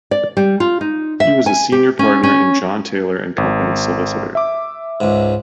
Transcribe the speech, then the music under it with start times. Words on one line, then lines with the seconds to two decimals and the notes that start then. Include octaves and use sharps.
He was a Senior Partner in John Taylor and Company solicitors.
0.11 D5
0.37 G3
0.60 F4
0.81 D#4
1.20 E5
1.46 G#5
1.72 G4
1.99 C#4
2.23 C#4
3.38 G#1
4.35 E5 D6
5.00 C#2 G#2